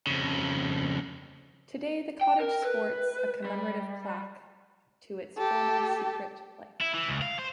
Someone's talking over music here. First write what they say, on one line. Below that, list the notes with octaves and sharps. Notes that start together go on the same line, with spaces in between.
Today the cottage sports a commemorative plaque to its former secret life.
F2 C#3
G5
A#4
B4
G3
G4 A4
E4
E3
C#2
F5
C5